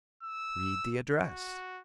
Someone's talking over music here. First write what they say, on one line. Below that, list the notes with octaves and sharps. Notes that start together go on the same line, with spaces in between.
"Read the address."
E6
F#4